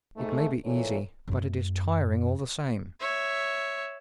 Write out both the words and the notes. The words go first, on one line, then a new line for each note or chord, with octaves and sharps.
"It may be easy, but it is tiring all the same."
G#2 A3
E2 A#2 E3 A4 C#5
F#2 A3
C#5 E5